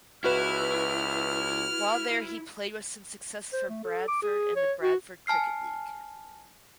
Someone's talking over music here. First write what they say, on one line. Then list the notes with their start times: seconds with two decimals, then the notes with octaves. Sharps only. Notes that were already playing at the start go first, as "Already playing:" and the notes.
While there he played with some success for Bradford in the Bradford Cricket League.
0.24 C#2 E4 F#4 B4 F6
3.53 C5
3.69 A3
3.84 A4
4.08 D6
4.23 G#4
4.56 C#5
4.82 F#4
5.27 G#5 A5 F6 C7